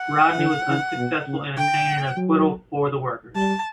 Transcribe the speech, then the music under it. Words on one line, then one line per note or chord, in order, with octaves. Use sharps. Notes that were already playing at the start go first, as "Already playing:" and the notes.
Rodney was unsuccessful in attaining an acquittal for the workers.
Already playing: F#5
D3
C#3
B2
C#3
D3 G5
F#3
G3 A5